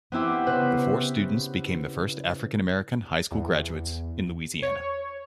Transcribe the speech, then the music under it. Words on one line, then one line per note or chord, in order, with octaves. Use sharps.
The four students became the first African American high school graduates in Louisiana.
B3 C4 E4 G4
C#3 B4 C5
E2
C#5